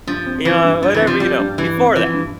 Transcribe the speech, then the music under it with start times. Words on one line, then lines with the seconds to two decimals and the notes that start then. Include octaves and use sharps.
you know, whatever you know, before that,
0.07 G2 F3
0.26 C4
0.45 E3 F3
0.64 G2
0.82 G2 F3
0.94 E3
1.01 C4
1.07 F3
1.20 F3 G3
1.39 G2
1.58 G2 E3
1.77 C4
1.95 E3 F3
2.14 G2